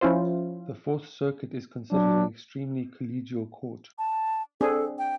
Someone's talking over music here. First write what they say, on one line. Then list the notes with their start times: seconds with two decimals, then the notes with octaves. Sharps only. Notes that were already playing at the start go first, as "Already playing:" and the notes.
The Fourth Circuit is considered an extremely collegial court.
0.01 F3 C#4 E4 F4 C5
1.92 F#3 D4
3.98 A5
4.61 C4 D4 G#4 A4
4.98 G5